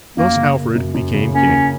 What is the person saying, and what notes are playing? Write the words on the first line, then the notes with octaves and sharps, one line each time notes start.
Thus Alfred became king.
F#2 A#3
C#3
A#3
F#2
F#2
C#3
A#3 C#4